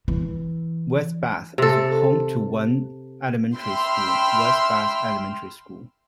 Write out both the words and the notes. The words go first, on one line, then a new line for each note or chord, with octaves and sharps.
West Bath is home to one elementary school, West Bath Elementary School.
E3
C3 A4
E5 G5 B5 C6 E6 F6